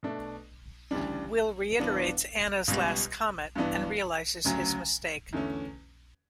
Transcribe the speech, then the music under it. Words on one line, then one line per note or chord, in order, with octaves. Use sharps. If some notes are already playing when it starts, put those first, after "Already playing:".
Will reiterates Anna's last comment and realizes his mistake.
B2 A3 D4
D2 C#3 E3 G3 D4
G2 E3 B3 D4
C#2 B2 G3
G2 E3 B3 D4
D2 C#3 F#3
E2 D3 A3 C#4